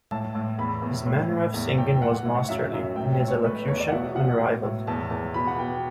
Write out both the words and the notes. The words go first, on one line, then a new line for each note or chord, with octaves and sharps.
His manner of singing was masterly and his elocution unrivalled.
A2 A5
A2
E2 B5
E2
A2
A2
E2
E2 G5
A2 F#5
A2
F#2 E5
F#2 E5
A2 G5
C#5
A2
C#5
A3 B4
B4
E2 C#5
D5
F#5
B2 E5
B2 F#5
A2
A2
E2 A5
E2
B2 B5
F#5
B2 G5